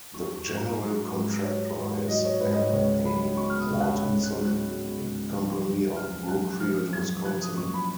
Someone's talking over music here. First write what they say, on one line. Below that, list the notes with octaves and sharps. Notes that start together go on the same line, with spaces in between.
The General Contractor is M. A. Mortenson Company of Brookfield, Wisconsin.
F#3 C#6
C#6
G#2
A#5
F#3
G#2 B4
F#3 C#5
G#2
F#3 D#5
C#5
G#2 B4
D#5
C#5
C#2 C#5
F#3 B5
B2 C#6
F6
D#6
C#2
F#6
C#2
F#6
F#3
F#6
B2
C#2
F3
F#2
F3 F6
F#2 F#6
F#6
F3 F6
F#2 G#6
F3 F#6
D#6
F#2 C#6
B5